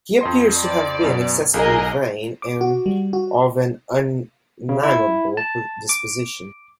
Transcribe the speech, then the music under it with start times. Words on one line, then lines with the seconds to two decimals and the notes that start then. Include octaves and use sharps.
He appears to have been excessively vain and of an unamiable disposition.
0.21 F2 D#5 C6
0.57 D5
1.03 F#2 B2
1.54 B1 G#4 A#4 D#5
2.42 D6
2.61 F#4
2.86 G3
3.13 F#4
4.69 C#3
4.83 E4
5.37 A5
5.89 D6